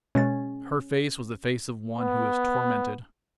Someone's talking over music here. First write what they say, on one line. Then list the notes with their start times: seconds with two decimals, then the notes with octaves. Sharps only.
Her face was the face of one who is tormented.
0.15 B2 G#3 C#4 A6
1.99 B3